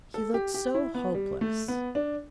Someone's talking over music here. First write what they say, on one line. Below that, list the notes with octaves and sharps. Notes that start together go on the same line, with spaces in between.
He looked so hopeless.
A4
G4
G4
E4
B3
G3
A3
B3
D4